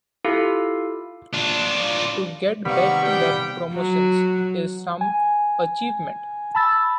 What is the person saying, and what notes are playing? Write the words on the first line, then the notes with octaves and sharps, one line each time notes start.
To get back to back promotions is some achievement.
E4 F4 G4 A4 F5
D4 F4
C3 D#3 G3 A#3 B3 F5 B5 C#6
G3 F#5 G5
F#3
G#5
A5 B5 E6 A6